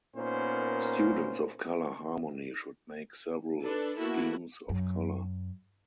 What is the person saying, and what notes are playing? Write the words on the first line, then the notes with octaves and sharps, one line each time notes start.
Students of color harmony should make several schemes of color.
A#2 B3 C#4 D#4 A#4 C5
D4 A4 B4
A#3 B3 E4 F#4 A4
F#2